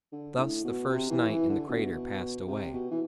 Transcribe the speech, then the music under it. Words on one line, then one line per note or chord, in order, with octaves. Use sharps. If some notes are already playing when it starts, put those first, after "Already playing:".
Thus the first night in the crater passed away.
D3
A2
B2
C3
E3
E3
D3
B2
C3
B2
E3